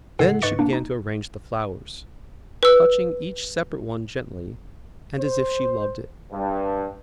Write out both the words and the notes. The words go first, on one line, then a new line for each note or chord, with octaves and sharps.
Then she began to arrange the flowers, touching each separate one gently, and as if she loved it.
G1 A2 C#3 A4 F#5 C7
G#2 B4 D#5 C#6 A6 C#7
A#3 D4
D#4
B4 E6
C5
G2